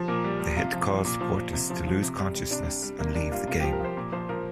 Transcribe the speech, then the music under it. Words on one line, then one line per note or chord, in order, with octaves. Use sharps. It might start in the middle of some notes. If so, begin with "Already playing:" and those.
The hit caused Portis to lose consciousness and leave the game.
Already playing: F3
A#2 A#4
G3
G3
C3 F4
F3
F3
A#2
F3
F3
C3
F3
F3
C3
G3
G3
C3 D4
G3
G3
C3 A#3
G3 D4
G3 F4
C3 F4
G4
F3
A#4
F3 C5
A#2
F3 C5
F3 A#4